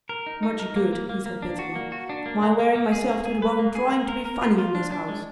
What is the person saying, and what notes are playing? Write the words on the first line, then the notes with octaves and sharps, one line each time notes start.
"Much good," he said bitterly, "my wearing myself to the bone trying to be funny in this house."
A#4
D#4
D#4
A#4
A#3
A#3
A#3
A#3
D4
F#4
A#3
F#4
D4
A#3
A#3
A#3
A#3
G#4
A#3
G#4
B4
A#3
G#4
A#3
A#4
A#4
F4
F4
D4
D4
G#3